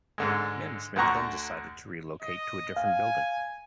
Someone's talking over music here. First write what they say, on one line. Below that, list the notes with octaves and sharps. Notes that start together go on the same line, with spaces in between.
Management then decided to relocate to a different building.
G#2 D3 G#3
D2 D3 F#5 A#5 C#6
D#5
F5 G#5